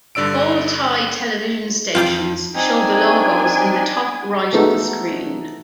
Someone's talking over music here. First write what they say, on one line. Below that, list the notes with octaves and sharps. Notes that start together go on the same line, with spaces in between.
All Thai television stations show the logos in the top-right of the screen.
G2 D3 D5 E6 D7
F2 F4 G5 D6
C4 D4 D#4 G#5
G#3 A3 B3 D#4 F#4 A4